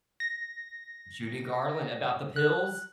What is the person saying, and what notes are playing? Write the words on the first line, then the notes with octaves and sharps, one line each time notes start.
Judy Garland, about the pills?
A#6
F#6